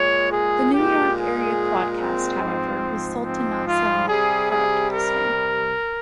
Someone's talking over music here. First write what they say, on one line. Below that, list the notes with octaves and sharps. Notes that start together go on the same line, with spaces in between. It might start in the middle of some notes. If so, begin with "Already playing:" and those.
The New York area quadcast, however, was sold to Nassau Broadcasting.
Already playing: A#2 G#3 C#5
G#4
A#2 G#3 G4
G#4
C4
G#2 F3 G#3
C4
F4
C3 G3 G#4
G#4
A#4